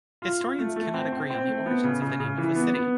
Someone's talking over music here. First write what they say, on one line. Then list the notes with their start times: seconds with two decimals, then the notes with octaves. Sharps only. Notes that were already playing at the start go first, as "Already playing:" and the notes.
Historians cannot agree on the origins of the name of the city.
0.22 F4
0.40 F4
0.58 A3
0.76 A3
0.94 C4
1.12 C4
1.30 C4
1.48 A3
1.66 B3
1.84 C#3
2.02 C#3
2.20 C#3
2.38 E3
2.55 B3
2.74 B3